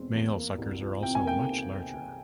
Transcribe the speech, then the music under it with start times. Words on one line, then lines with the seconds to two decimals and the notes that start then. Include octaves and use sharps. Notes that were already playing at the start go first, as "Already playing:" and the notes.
Males suckers are also much larger.
Already playing: E2 B2 G#3 C4
0.13 E2
0.36 A#3
0.58 C2
0.80 F3
1.03 C3 G5
1.15 G#5
1.25 A#3 G5